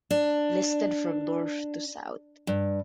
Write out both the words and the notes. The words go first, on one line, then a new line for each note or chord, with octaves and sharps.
Listed from north to south.
D4
G2